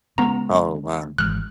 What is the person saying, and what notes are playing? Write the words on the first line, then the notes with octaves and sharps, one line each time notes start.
Oh, wow.
C#3 G#3 B3 A#5
G#1 E3 G#3 F6 F#6